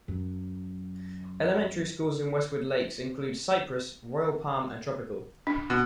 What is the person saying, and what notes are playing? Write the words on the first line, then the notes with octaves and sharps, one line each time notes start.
Elementary schools in Westwood Lakes include Cypress, Royal Palm, and Tropical.
F#2 F#3
D4
B2